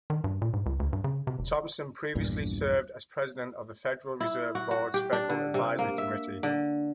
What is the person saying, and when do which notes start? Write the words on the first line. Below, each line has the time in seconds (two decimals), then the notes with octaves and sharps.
Thompson previously served as president of the Federal Reserve Board's Federal Advisory Committee.
0.10 D#3
0.24 G2
0.42 A#2
0.53 G#2
0.66 C#2
0.80 D2
0.93 G2
1.04 C#3
1.27 C3
1.39 F1
2.15 A#1 E2 G2 A#2
4.20 E4
4.55 F#4
4.71 F#4
4.94 G4
5.13 D4
5.30 D3
5.54 C3
5.79 A#3
5.98 E5
6.43 D3